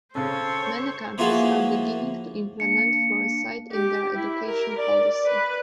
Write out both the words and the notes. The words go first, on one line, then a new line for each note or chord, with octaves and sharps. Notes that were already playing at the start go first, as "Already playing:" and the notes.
Many countries are beginning to implement Foresight in their Education policy.
C#3 C#4 A4 C5 C#5
E3 F3 A#3 F4 F#4 G#4
A#3 D4 C#7
G4
E4
A#4
D5
B4